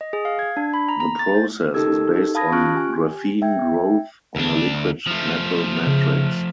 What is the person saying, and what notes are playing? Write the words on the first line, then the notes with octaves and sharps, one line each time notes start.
The process is based on graphene growth on a liquid metal matrix.
D#5
G#4
F5
G#6
D4
B5
A#5
A#5
A6
C5
D#4 G4 A4 A#4 E6 G#6
F5 A5 B5 D#6 G#6 A#6
C#4 F4 C#6 F6 F#6 D7
G4 G#5
E5 G5 G#6
D2 D4
F3 A3
C#3